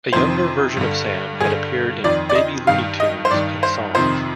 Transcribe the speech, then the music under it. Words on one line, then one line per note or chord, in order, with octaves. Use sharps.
A younger version of Sam had appeared in "Baby Looney Tunes", in songs.
F2 C3 D#3 C5
G2 D3
G2 D3 G#4
F2 D#3 D5
D5
D#5
G2 D#3 F5
D#5
C5
G2 D#3 D5
C5
F2 C3 D#3 C5